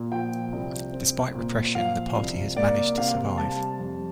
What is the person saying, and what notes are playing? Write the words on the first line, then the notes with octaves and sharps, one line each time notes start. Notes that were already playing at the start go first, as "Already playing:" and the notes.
Despite repression, the party has managed to survive.
Already playing: A#2
F3 G5
C2
C4
A#2
F3 F5
C2
A#3 D5
C3 F5
G3 A5
F2